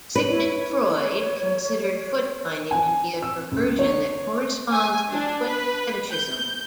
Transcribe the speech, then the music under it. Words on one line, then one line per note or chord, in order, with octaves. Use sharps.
Sigmund Freud considered footbinding to be a "perversion that corresponds to foot fetishism".
B4 C#5
G#5
E6
C#2
C#5
G#5
D4
B4
G6